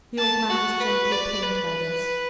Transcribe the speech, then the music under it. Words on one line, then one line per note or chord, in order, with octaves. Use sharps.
The old man was gently pained by this.
A5
F#4
B4
D5
B4